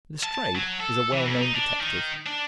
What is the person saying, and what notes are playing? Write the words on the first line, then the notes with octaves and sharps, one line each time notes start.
Lestrade is a well-known detective.
A5
A5
F#3
A4
E3
F2
D#4
D4
D#3
D4